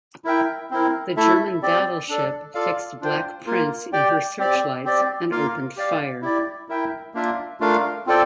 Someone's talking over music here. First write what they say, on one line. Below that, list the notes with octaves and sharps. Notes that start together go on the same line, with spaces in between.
The German battleship fixed "Black Prince" in her searchlights and opened fire.
E4 A#4 E5 G5
C4 E4 A#4
A3 E4 A4 E5
C4 G4 D5
D4 A4 D5
F4 A4 D5 F5
D4 F4 C5 G5
A#3 F4 A#4
G4 D5 G5
C4 G4 D5
C4 G4 D5
A#3 F4 A#4 F5
G4 D5 F5
E4 G4 D5
E4 A#4 E5 G5
A#3 D4 F4 A#4 E5
A3 D4 F4 A#4 F5
C4 F4 A4 D5 G5